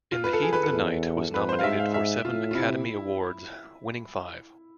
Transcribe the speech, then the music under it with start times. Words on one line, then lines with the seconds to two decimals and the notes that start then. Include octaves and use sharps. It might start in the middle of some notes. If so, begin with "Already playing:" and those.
"In the Heat of the Night" was nominated for seven Academy Awards, winning five.
0.12 F4
0.24 B4
0.33 A4
0.42 G#4
0.53 B4
0.63 A4
0.73 E2
1.34 F2 B4
1.49 C5
1.59 F5
1.64 G#2 E5
1.79 F5
1.94 E5
2.25 A2 F4
2.51 F4
2.55 C3 E4